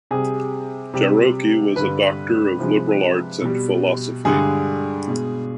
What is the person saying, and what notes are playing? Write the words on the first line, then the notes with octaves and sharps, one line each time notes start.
Jarocki was a Doctor of Liberal Arts and Philosophy.
C3 G3 G#4
C3 G3
G2 D3 G3 B4
C3 F3 G#3
B2 G3
G2 D3 G#3 G#4
B2 G#3